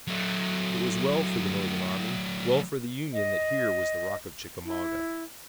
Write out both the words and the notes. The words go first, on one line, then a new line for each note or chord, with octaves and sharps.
It was well for the Northern army, well for the Union that here was the Rock of Chickamauga.
F#3 A3
D#5
E4